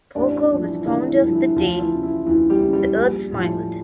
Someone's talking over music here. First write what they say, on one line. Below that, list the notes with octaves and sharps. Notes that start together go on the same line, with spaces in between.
Porco was founder of The Day the Earth Smiled.
A1 D4 D5
D4 D5
G2 F3
E3 E4
E4
A1 D3 D4
E3 E4
G2 F3
E3 E4
D2 F3 F4
E3 E4
E3
C#3
E3 E4
D2 E3 E4
G3 G4
C#3 E3
G3 G4
A#1
A2 F3